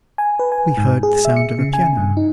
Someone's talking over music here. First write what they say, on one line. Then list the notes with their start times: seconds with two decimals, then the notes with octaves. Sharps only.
We heard the sound of a piano.
0.18 G#5
0.39 B4
0.52 G#5
0.77 G#2
1.03 G#4
1.25 E5
1.36 C#7
1.59 C#3
1.73 G#5
1.97 G2
2.17 D#4